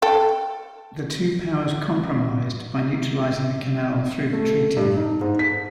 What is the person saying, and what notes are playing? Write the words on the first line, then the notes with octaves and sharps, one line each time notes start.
The two powers compromised by neutralizing the canal through the treaty.
A4 G5
A3
G2
D#4
G#2
B6